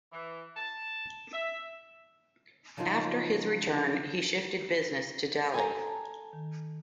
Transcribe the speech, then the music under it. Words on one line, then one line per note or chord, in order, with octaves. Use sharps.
After his return he shifted business to Delhi.
E3
A5
E5
C#3 F3 F#3 C#4 D#4 F4
A4 G#5 A#5
A5
D#3